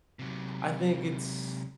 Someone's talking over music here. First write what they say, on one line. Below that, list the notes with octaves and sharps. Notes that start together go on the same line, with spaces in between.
I think it's
C3 F#3